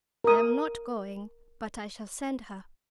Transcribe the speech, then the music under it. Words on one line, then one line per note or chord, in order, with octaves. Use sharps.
"I am not going, but I shall send her."
A#4 D#6